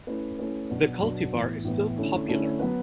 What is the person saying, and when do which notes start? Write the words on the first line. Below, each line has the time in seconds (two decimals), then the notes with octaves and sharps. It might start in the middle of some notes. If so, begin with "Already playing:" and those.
The cultivar is still popular.
0.07 A3 C#4 E4 B4
0.39 A3 C#4 E4 B4
0.70 B2 F#3 B3 D4
1.01 B2 F#3 B3 D4
1.33 A2 E3 B3
1.64 A2 E3 B3
1.97 D3 A3 C#4 E4
2.28 D3 A3 C#4 E4
2.59 F#3 B3 F#4 B4